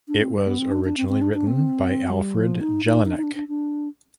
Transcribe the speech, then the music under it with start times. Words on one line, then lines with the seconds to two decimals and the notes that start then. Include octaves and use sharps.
It was originally written by Alfred Jellinek.
0.08 D4
0.22 C4
0.34 G3
0.47 B3
0.59 C4
0.71 D4
0.84 D4
0.97 C4
1.09 C4
1.22 D4
1.34 D4
1.47 C4
2.10 G3
2.35 F3
2.61 D#4
2.85 D#4
3.05 D#4
3.10 D4
3.17 D#4
3.23 D4
3.35 D4
3.48 D4